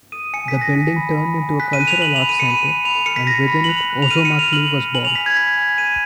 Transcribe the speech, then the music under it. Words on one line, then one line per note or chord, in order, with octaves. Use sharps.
The building turned into a cultural arts center, and within it Ozomatli was born.
D#6 D#7
G#5 C#7
B6
F#6
A#6
G#5
B5
B5
G#5
F#6 B6
D#7
F#6
F7
F#6 F#7
F7
B5
D#7
B5 C#7
D#7
B5
B5 F7
F7
F6 C#7
B6
B5 A#6
B5
F#7
F#6 F7
F#6
F7
F6 D#7
C#7
F6
F7
F6 F#7
F6
G#5 F#7
F7
G#5 B6
G#6
B5 B6
G#5
F#6 D#7